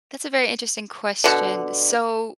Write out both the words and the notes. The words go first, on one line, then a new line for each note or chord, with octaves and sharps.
that's a very interesting question, so
B2 D3